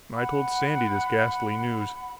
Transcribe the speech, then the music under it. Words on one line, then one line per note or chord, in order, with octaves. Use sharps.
I told Sandy this ghastly news.
F#5 B5